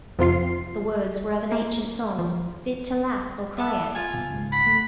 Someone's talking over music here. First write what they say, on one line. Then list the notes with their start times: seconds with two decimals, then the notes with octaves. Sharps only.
The words were of an ancient song, fit to laugh or cry at.
0.19 F2 C3 F4 C7
1.52 A#3
2.18 F3
3.57 A4 D5 E5
3.95 F4 G#5
4.13 F#1 B2
4.30 C#2 G#2
4.52 F#5 B5
4.66 A3